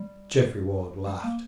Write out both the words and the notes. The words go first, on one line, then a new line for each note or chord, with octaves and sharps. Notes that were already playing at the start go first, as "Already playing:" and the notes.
Geoffrey Ward laughed.
Already playing: G3
G3
A#3